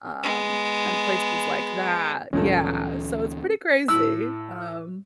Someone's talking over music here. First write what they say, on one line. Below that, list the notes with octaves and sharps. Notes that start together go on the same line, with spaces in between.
um, and places like that, yeah, so it's pretty crazy, um
G#3 B3
D2 G2 A#2 E3 F#3 G#3 C#4 A4
A2 E6